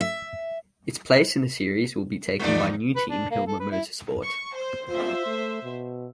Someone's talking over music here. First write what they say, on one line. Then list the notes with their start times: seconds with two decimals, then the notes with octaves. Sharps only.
Its place in the series will be taken by new team Hilmer Motorsport.
0.01 E5
2.39 E2 F3 G#3 D#4 F4 D5
2.96 B4
3.10 D4
3.31 A#3
3.47 A4
3.60 B4
3.71 E4
4.22 C#6
4.55 C5
4.89 F4 C5 E5
5.26 A3
5.63 B2